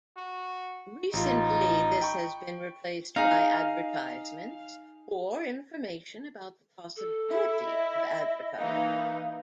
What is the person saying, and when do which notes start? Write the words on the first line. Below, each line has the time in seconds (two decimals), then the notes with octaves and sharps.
Recently, this has been replaced by advertisements, or information about the possibility of advertising.
0.17 F#4
1.13 A1 D#4 F4
2.02 G5 B5 C#6
3.16 D#4 G#4 F5
6.96 A4
7.30 E4 E5
7.65 D#5
8.59 E3 A#3 D#4 F5